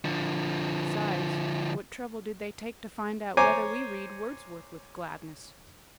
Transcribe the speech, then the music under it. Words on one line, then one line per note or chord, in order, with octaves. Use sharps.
Besides, what trouble did they take to find out whether we read Wordsworth with gladness?
D3 F3
C5 C#5 G#5 A#5 D6